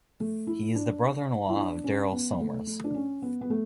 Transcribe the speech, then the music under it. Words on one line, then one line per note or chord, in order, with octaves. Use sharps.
He is the brother-in-law of Daryl Somers.
A3
E4
D4
E4
D4
C#4
B3
A3
A3
D4
C#4
B3
B3
A3